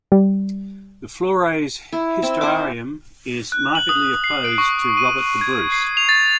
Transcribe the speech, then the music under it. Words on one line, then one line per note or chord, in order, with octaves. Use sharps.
The Flores Historiarum is markedly opposed to Robert the Bruce.
G3
E4
C4 E4
C5 F#5 G#5 D6
F#6
F#7
D#6
C7
D7
C#6
D#7
G#6
C7
F7
A6